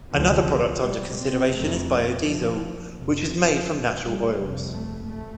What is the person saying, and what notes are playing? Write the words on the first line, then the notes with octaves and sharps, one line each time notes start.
Another product under consideration is biodiesel, which is made from natural oils.
D2 C3 F3
G3
C4
F2 C3 A3
F3
F2 C3
F3
G3
F2 C3
A3
A3